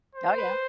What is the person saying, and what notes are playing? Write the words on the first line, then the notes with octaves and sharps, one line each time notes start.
Oh, yeah.
C5
B4